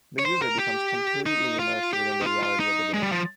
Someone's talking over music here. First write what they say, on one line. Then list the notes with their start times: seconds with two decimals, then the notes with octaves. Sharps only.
The user becomes completely immersed within the reality of the game.
0.19 C#5
0.25 C5
0.42 A#4
0.59 G4
1.26 D#4
1.59 F4
1.93 G4
2.21 D#4
2.26 F4
2.43 F4
2.60 D#4
2.94 G#3
3.03 G3
3.12 F3